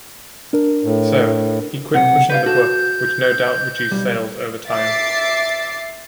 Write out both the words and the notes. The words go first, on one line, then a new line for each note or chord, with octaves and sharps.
So, he quit pushing the book, which no doubt reduced sales over time.
D4 A#4
A2
B1 F#2 C3 F#5
B4 C#5 F5 G6
F#4 A4
B1 G3
E5 D6 A6 C7